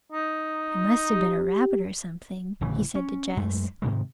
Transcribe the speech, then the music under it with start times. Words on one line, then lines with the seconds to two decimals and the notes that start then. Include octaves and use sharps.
"It must have been a rabbit or something," he said to Jess.
0.13 D#4
1.11 G4
2.61 D1 A1 C#3 E3
2.95 C#4
3.37 F#2 G#3 A3
3.82 G#2 C3 D#3 G#3